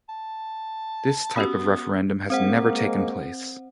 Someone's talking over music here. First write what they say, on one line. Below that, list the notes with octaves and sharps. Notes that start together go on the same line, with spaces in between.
This type of referendum has never taken place.
A5
B3 C#4 F#4 G4
G#3 A#3 C4 C5 F#5